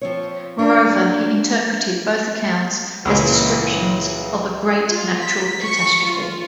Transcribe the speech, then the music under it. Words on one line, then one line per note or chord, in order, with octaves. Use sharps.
Moreover, he interpreted both accounts as descriptions of a great natural catastrophe.
F3 C4 C#5
D4 F4 A4 A#4 D5
C#2 A#2 E3 G#3
F4
B6
C#6
F4